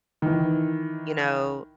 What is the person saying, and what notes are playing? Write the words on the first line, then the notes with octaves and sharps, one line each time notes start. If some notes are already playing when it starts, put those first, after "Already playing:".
you know,
D#3 E3